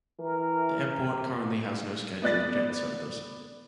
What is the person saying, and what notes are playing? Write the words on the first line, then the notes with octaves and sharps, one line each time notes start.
The airport currently has no scheduled jet service.
E3 A#4
B3 D5 F#6 A6